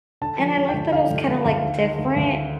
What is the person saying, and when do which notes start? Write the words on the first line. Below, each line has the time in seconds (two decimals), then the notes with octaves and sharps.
and I like that it was kinda, like, different,
0.21 D3 A5
0.39 F3
0.57 F3
0.69 G5
0.74 D2
0.92 D3 F5
1.11 D2
1.28 D2
1.45 D2
1.64 D#3
1.81 D#3
1.99 D2
2.16 D2
2.34 D#3